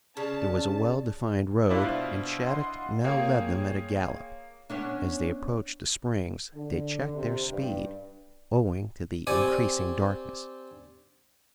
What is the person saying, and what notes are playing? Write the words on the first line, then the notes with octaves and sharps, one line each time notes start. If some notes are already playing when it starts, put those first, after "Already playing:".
There was a well defined road and Shattuck now led them at a gallop. As they approached the springs they checked their speed, owing to the increasing darkness.
C#3 C#4 D5 A5
G2 D4 E4 F4 E5
B2 C5 F6
D#5 F#5 C6
A#3 F4 G#4 C#5 G5
B3 C#4 D4
D3
C3
G2
C4 G4 D5 G#5 C#6